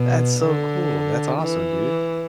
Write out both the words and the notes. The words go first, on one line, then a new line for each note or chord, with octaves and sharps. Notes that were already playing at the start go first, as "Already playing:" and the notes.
That's so cool. That's awesome, dude.
Already playing: B2
D3
E3